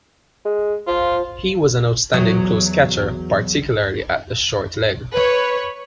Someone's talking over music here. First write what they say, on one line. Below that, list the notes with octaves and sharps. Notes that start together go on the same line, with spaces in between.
He was an outstanding close catcher, particularly at short leg.
G#3
F3 F4
E2 F#3
B4 C#5